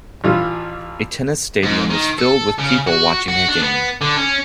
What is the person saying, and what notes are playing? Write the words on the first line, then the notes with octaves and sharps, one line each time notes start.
A tennis stadium is filled with people watching a game.
A1 E3 F4
G#2
D#3
A4
C#3
F#4
F#4
D4
B3
D3
C#4